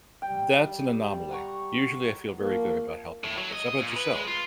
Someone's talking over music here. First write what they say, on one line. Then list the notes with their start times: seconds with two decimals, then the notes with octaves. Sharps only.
that's an anomaly, usually, I feel very good about helping others. How 'bout yourself?
0.22 G3 G5
1.31 F#5 A#5 C#6
2.40 F3 A#3
3.24 A2
3.37 F#3
3.52 D#5
3.66 D#5
3.80 A#2
3.96 B4
4.13 G#3
4.27 F4